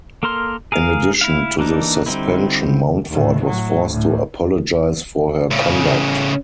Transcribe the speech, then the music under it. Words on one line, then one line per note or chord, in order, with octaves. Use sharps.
In addition to the suspension Mountford was forced to apologise for her conduct.
A#3 A4 A#4 C6 F6
G#4 A#4 F5
E4 F5
E3 A#3 D4 D#4
D3 G3 C4 D#4 E4
D#2 A2
A2 F#3
D2 A2
A2 C#3